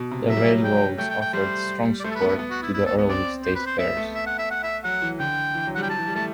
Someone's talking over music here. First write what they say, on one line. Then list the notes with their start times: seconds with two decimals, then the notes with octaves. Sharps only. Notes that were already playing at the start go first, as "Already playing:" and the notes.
The railroads offered strong support to the early State Fairs.
Already playing: B2
0.11 C3
0.28 F#3 E5
0.37 G3
0.46 F#3
0.64 G5
0.98 A3 G5
1.10 G5
1.21 G5
1.33 G3 C5
2.00 D5
2.04 A3 C5
2.11 A4
2.15 B4
2.22 B3
2.27 B4
2.39 B3
2.50 F#4
2.62 E4
2.74 E4
2.86 A4
2.99 B3
3.09 C4 D5
3.44 C5
3.55 B4
3.66 C5
3.79 B3 E5
3.97 A3
4.14 E5
4.27 F#5
4.38 E5
4.51 F#5
4.63 E5
4.84 F#3 F#5
5.02 E3
5.20 D3 G5
5.55 E3
5.67 F#3
5.75 G3 F#5
5.83 G5
5.89 F#3 A5
5.98 E3
6.07 G3
6.15 A3 A5